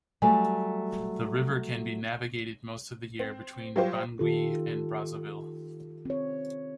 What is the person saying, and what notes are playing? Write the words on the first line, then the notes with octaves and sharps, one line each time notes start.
The river can be navigated most of the year between Bangui and Brazzaville.
F#3 G3 A3 G#5
C4
F#3 G3 F4 G4 C5
D#3 F4 G4 A4
C4 C#5